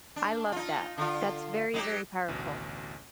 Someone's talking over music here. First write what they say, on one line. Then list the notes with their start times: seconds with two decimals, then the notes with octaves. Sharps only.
I love that. That's very, very powerful.
0.16 D4
0.52 D#4 F4
0.97 D3 F4
1.74 F#3 D#4 G4
2.28 A1 D2 B2